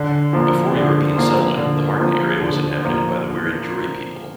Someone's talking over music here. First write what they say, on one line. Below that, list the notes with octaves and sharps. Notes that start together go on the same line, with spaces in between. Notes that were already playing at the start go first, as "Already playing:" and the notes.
Before European settlement the Harden area was inhabited by the Wiradjuri people.
Already playing: D3
F3 A#3
D3
F3 A#3
D3
F3 A#3
D3
F3 A#3